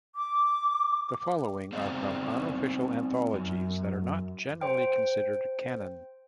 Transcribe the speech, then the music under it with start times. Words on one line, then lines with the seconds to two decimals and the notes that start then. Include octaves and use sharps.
The following are from unofficial anthologies that are not generally considered canon.
0.15 D6
1.73 B3 C4 D#4 C5 D5 F5
3.34 F#2
4.61 C5 G5